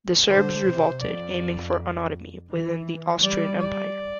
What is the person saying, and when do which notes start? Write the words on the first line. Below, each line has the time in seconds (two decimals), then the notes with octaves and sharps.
The Serbs revolted, aiming for autonomy within the Austrian Empire.
0.29 D3 C5
0.66 C3
1.02 F2 D5
2.49 E3
3.23 G3 D5
3.59 D5